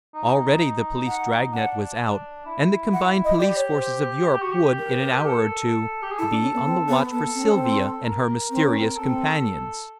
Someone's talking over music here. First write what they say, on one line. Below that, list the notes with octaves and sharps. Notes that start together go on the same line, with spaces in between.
Already the police drag-net was out, and the combined police forces of Europe would, in an hour or two, be on the watch for Sylvia and her mysterious companions.
D#4
F#5
D4 F#5
E4
F#5
D#5
G4 D5
C#5
C5
G4
F#4
G4
A#4
B4
A#4
A4
G4
G#4
E4 A4
D4
C#4
B3
C4
B3
B3 A4
C4
C#4
C4
A#4
C4
C#4
C4
C4 A4